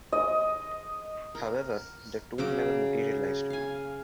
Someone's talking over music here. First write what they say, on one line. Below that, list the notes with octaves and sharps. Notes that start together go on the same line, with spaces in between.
However, the tour never materialised.
D#5
A#4
C#3 F#3 D6
F5 G#5